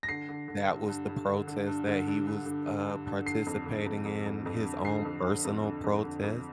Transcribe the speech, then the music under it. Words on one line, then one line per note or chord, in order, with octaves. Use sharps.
That was the protest that he was, uh, participating in, his own personal protest.
A#6
D3 C7
D3
D3
G2
G2
G2
D3
D3
G2
D3
G2
G2
D3
D3
G2
G2
D3 C7
F2
D3
F2
F2
F2
F2
D3
D3 C7
F2
D3
F2
D3
F2
D3
F2